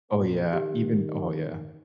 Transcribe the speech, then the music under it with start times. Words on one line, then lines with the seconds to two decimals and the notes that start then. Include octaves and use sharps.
Oh, yeah, even Oh, yeah.
0.15 A#2
0.53 D#3 G4